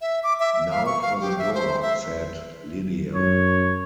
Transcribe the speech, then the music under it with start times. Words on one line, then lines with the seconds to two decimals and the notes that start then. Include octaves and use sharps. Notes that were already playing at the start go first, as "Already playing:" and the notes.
"Now for the door," said Lydia.
0.01 E5
0.23 D6
0.40 E5
0.54 E5
0.70 F5
0.86 C#6
1.02 F5
1.21 G4
1.38 E5
1.54 C5
1.82 E5
3.14 F#2 C#5